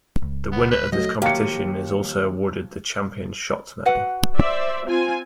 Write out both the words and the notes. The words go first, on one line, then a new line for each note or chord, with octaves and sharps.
The winner of this competition is also awarded the Champion Shots Medal.
C#2
B3
B4
F#3 A3 D#5
D#2 F3 F#3 G4 F5 C#7
F#4 B4 F#5
C5 D5 E5
C4 F4 G#5